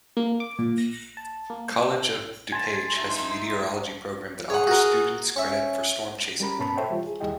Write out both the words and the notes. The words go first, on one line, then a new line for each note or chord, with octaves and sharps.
College of DuPage has a meteorology program that offers students credit for storm chasing.
A#3
D6
A#2
A#6
A5
A#3
G#5 A5 C6
D#4 E5
G#4 C#5 F#5
F#4 A#4
C#4 E5 C#6
G3 G#3 C#4 A#4 A#5 B5
G2 B2 B3 C#4 A5 B5
A4 C5 C#5 E5 G5
E3 G3 F4
G#4
D#2 G3 E4 G#4 D#5 G5